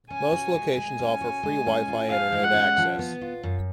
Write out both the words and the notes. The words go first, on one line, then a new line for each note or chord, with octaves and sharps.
Most locations offer free Wi-Fi internet access.
C#4 G#5
F#4
G#3
G#3 G#5
C#4
F#4
G#3
C#4
F4
F3 F5
G#3
F#5
C#4
F3
B3
F4
F#2